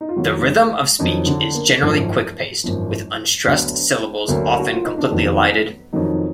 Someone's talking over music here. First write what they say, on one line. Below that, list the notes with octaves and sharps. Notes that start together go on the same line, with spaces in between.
The rhythm of speech is generally quick-paced, with unstressed syllables often completely elided.
D#4
F4
F2 D#3 F#3 F#4
G#3 G#4
F2 D#3 F#3 D#4
D3 D4
A#3
G#1 F#2 F3
G#1 F#2 F3
D2 D3 F#3 B3
D2 D3 F#3 A#3
F#4
F4
D#4
D4
F1 F2 D#3 F#3 B3
F1 F2 D#3 F#3 D#4